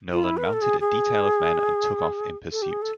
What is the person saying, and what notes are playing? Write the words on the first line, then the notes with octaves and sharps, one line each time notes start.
Nolan mounted a detail of men and took off in pursuit.
F4
E4
B4
A#4
A4
G#4
G#4
A4
G4
G#4
A4